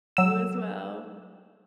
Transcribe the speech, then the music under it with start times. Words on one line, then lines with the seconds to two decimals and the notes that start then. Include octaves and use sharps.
You as well.
0.17 F#3 E6